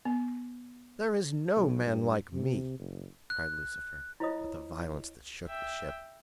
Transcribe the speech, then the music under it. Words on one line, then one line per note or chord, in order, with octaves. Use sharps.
"There is no man like me," cried Lucifer, with a violence that shook the ship.
B3
B1
G2
C3
F#1
F#6
E4 F4 C5 C#5 D#5 D#6
E5 G5